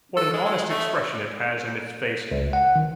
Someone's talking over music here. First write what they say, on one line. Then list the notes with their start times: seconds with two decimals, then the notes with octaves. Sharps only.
What an honest expression it has in its face!
0.17 A4
0.33 G#3
0.46 G#3
0.70 A3
2.31 C#2
2.53 F#5
2.76 D#3